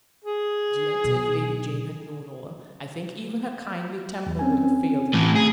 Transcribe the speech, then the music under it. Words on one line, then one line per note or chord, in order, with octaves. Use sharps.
And yet, if Lady Jane had known all, I think even her kindly temper would have failed her.
G#4
B2 F#3
E2
C4 C#4 G#5
A2 E3
G#4